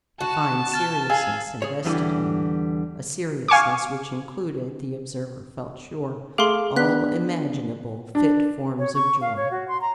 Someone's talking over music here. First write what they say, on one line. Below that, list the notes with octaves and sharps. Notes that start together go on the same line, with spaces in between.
A fine seriousness invested him--a seriousness which included, the observer felt sure, all imaginable fit forms of joy.
F#4 A5
F6 A6 E7
G#4 F5 E6 C7
G#4 C#5
E2 D3 E3 G3 G#5
F5 G#5 C#6 D6
A3 G#4 F5 C6 D6
B3 D4 F#6 B6
D4
C#5
C#6
F5
C#5
F#4
C6
A#5